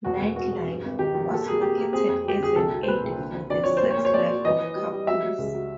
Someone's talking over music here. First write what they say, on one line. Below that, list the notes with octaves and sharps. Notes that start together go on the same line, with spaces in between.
"Night Life" was marketed as an aid for the sex life of couples.
E1 F#4
E1
B2 F#4
E2
G2
G#1
D#3 G4
D#3
A#2 A4
A#3 G#4
F#3 G4
A#3
C4 G#4
F2
G3 G4
D3 G#4
C2 A4
F#3
C5
A#2 B4
C2
D3
D3
D3 D5
F3 C#5
A#2 C5
C#5
A#2
C#5
A#2 D5
F#3
E3 D#5
E3
G3
G3
F#3 E5
F#3
C#2
F#3